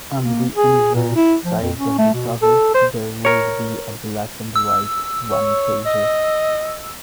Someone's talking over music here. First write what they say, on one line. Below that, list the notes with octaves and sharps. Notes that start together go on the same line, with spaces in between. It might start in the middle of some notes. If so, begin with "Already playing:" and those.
On the inverse side of the cover, there would be a black-and-white One-Pager.
A#3
G#4
A#2
E4
F3
F2
C#4
A3
B2
A4
C5
A#4 C#5
E6
C#5
D#5